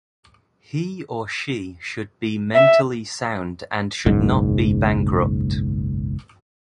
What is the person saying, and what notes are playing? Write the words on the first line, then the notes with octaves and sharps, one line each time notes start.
He or she should be mentally sound and should not be bankrupt.
E5
F#1 B1 G#2